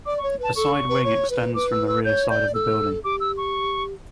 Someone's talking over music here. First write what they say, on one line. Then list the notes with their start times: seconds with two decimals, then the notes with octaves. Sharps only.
A side wing extends from the rear side of the building.
0.06 D5 D6
0.18 C#6
0.23 C#5
0.39 B4 A5
0.56 A4 C#6
0.89 B4
1.05 C#5
1.30 B4
1.55 B4 D6
1.72 E6
1.88 E6
2.05 C#5 G6
2.30 D5 G6
2.54 A4 E6
3.04 G4 D6
3.20 E6
3.37 C#6